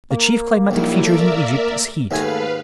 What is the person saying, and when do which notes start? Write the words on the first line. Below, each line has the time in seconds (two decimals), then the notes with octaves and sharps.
The chief climatic feature in Egypt is heat.
0.10 A#3
0.71 A#1 D#3 F#3 G3 E4
1.04 A3 A#4 D5 E5
2.11 D#2 G#2 A3 B4 F5 G#5